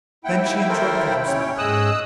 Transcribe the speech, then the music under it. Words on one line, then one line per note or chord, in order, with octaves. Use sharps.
Then she interrupted herself.
D#2 E4 F#5 G5
A4 A#4 C5
C#4 C#5
G#2 G#4 D#5 D#6 E6 F#6